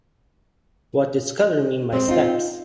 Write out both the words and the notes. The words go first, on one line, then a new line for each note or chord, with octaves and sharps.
What did Scudder mean by steps?
G#3 C4
D#4 F4